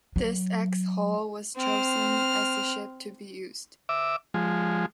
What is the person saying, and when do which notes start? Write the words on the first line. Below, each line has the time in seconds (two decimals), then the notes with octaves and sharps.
The ex-"Hoel" was chosen as the ship to be used.
0.16 F#3
1.58 C4 F6
3.89 E5 D6
4.34 F3 G#3